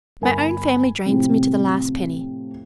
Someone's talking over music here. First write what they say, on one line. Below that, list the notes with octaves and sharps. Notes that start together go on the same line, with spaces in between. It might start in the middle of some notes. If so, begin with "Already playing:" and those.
My own family drains me to the last penny.
G1 A#4 G#5 B5
A2 C3 F3 C4 E4